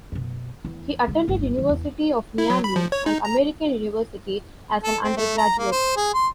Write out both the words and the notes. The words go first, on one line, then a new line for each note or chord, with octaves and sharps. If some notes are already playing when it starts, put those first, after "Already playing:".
He attended University of Miami and American University as an undergraduate.
F#2 B2
E2
D3 G#3
D1 G1
C2 E3
E2
E4
F#3
B5
F3
C#5
D#4
A#5
A4
C4
A3
A#5
A#3
C5
G#4
C6